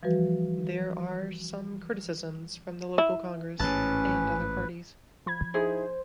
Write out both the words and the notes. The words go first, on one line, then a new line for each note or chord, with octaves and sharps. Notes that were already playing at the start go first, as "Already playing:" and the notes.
There are some criticisms from the local congress and other parties.
E3 F3 G3 F#4 B4
E4
A1 G#2 C#4 B4 A5
F3 B5 G#6
D#4 E4 G#4 C5